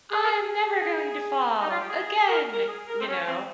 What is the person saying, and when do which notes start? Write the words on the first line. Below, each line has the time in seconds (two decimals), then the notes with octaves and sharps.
"I'm never going to fall again." You know?
0.11 G#4
0.24 A#4
0.30 G#4
1.62 D#4
1.70 F4
1.80 G4
1.88 G#4
2.29 A#4
2.53 A#4
2.68 G#4
2.87 A#4
3.01 C4
3.08 C#4
3.27 C4